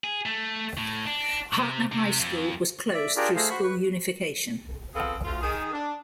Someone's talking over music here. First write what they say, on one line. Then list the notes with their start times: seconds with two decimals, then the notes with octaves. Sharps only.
Hardtner High School was closed through school unification.
0.04 G#4
0.26 A3
0.78 A2
1.07 D4
1.53 C3
1.92 C3
2.19 F2
2.94 D5 E5
3.16 D4 F4 G4 G#4 A#4 D5
3.36 A3 G#4 C5 F5
3.50 F#4 C5 B5 C#6
3.63 B4 C#6
4.94 F3 B3 C4 G#4 A4 F5
5.24 D2 F4
5.41 D#3 G#4
5.72 D4